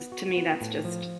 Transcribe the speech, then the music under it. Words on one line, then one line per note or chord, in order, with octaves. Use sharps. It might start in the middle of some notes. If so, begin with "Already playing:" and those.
to me that's just
Already playing: B3
F#4
B3
A2
F3